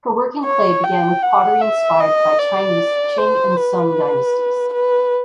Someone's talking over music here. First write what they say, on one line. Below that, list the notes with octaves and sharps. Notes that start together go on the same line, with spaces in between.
Her work in clay began with pottery inspired by Chinese Qing and Song dynasties.
C#5
G5
F#5
E5
D#5
D5
C5
B4
B4